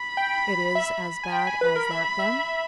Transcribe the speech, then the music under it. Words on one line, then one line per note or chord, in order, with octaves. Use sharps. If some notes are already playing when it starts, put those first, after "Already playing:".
"It is as bad as that, then?"
Already playing: B5
G5
E5
G#5
G5 B5
G#5
B4
A#4
E5
E5